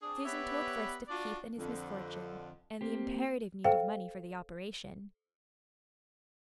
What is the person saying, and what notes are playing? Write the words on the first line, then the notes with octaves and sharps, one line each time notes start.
Susan told first of Keith and his misfortune, and the imperative need of money for the operation.
C4 D4 G#4
B3 G4 B4 C#5 D5 E5
D4 F4 F#4 D5
F2 D3
A#3 C4 G4
A4 C5 F5 G5